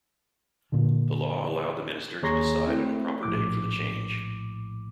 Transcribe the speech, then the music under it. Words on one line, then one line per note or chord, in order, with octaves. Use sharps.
The law allowed the minister to decide on a proper date for the change.
A#2 D3
D#2 G#4 C#5 A#5 C6 A#6
A3 C4 E4
A#1 A2 D6